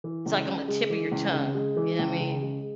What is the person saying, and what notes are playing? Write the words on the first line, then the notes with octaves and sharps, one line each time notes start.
it's, like, on the tip of your tongue, you know I mean?
E3
C#2
C#3
G#3
E3
C#2
C#3
G#3
E3
C#2
C#3
G#3